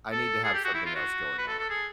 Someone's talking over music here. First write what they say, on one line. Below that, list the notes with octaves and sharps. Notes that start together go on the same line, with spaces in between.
I need to have something else going on,
A4
G#4
G4
F#4
E4
F4
F#4
B4
A4
A4
G#4